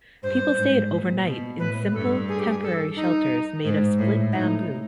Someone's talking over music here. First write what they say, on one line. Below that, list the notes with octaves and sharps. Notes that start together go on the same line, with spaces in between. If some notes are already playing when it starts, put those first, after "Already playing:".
People stayed overnight in simple, temporary shelters made of split bamboo.
G2 C5
G#2
A#2
B2
A2 B4
G2 A4
G#4
G4
G#4
A4
D#4
G#2
A2
A2 D#4